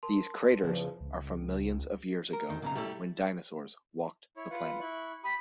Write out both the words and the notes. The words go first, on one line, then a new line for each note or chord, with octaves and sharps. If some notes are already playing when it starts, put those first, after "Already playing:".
These craters are from millions of years ago when dinosaurs walked the planet.
A#4 A5 C6
E2 C#3 F3
C#2
A#4
E2 D#3
B1 C#3 A#5
G3 A3 E4 A4
E4 C#5
F4 B4 F#5
E4 C#6 F#6
G4 B5 D#6